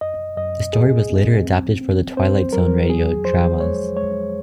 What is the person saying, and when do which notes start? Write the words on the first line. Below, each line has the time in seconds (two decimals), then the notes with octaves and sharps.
The story was later adapted for The Twilight Zone Radio Dramas'.
0.01 F#2 D#5
0.37 F#2 D#5
0.73 F#2 G#4
1.10 C4
1.45 C4
1.81 C4
2.17 C4 C5
2.53 F#3 A#4
2.89 F2 G#4
3.25 F3 C5
3.60 G#3 C#5
3.97 G#3 C#5